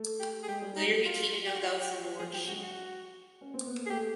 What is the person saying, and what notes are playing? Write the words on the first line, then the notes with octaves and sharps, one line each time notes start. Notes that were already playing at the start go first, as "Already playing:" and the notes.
Later he came to know that was the Lord Shiva.
Already playing: A3
G4
G#4
G#3 G4
G3
G#3 D#4
F#3
F4
G4
F#4
F4
G4
F#4
F3 G#4
F#3 G4
G#3 F#4
F#4
C#4
C4
B3
A#3
G#4
A3 G4